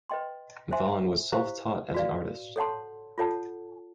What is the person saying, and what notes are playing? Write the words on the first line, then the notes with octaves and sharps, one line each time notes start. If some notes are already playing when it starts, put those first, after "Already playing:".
Vaughan was self-taught as an artist.
B4 D#5 G5 C6
C5 E5 G#5 C6
E4 G4 C5 F5
F#4 B4 D5 F5
A4 C#5 F#5 A5 C6
F4 A4 C#5 F#5 A5